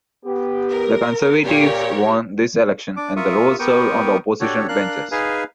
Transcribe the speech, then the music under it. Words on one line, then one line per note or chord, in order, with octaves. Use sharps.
The Conservatives won this election, and Ross served on the opposition benches.
B3 G4
A#4
A#2 G4 A#4 C#5
D4 D6
F4 A#4 E5 C#6 D#6
B3 G4 A#4 G5 C#6 D#6
D4 F#4 G4 A4 C#5
D4 A#4 F5 F#6
D#4 G#4 B4 F5 G#5